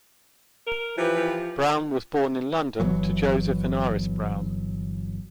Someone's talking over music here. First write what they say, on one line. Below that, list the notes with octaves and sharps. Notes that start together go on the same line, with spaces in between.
Brown was born in London to Joseph and Iris Brown.
A#4
E3 F3 G4 B4
F3
G1 E3 F#3